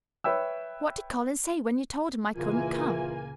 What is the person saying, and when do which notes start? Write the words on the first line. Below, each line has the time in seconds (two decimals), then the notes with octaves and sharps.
"What did Colin say when you told him I couldn't come?"
0.24 B4 C#5 E5 G5 E6
2.36 C#2 A#2 E3 A#3 F4 G#5